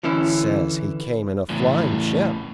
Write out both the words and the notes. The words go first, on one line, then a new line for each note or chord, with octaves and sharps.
Says he came in a flying ship.
D3 E3 C#4 E4
E2 A2